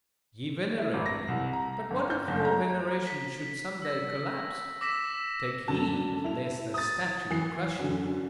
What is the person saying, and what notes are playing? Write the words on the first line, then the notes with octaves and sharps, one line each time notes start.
Ye venerate me; but what if your veneration should some day collapse? Take heed lest a statue crush you!
E4
G#1
A#6
C2
A#5
G1
G6
F#1
A#5
B6
E6 A#6
D6 E6 A#6 B6 E7
F#2 D3 A5
E4 F7
D#6 A6
E3 C7
F#2 D3